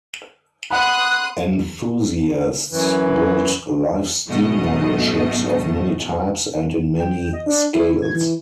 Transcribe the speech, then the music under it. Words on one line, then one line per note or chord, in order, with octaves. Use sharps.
Enthusiasts build live steam model ships of many types and in many scales.
F#5 B5 C6 D#6 F#6
F#2 E3
G#1 F#2 B2 A3 D#5
G5
D#5
D4
E4
G#6
E3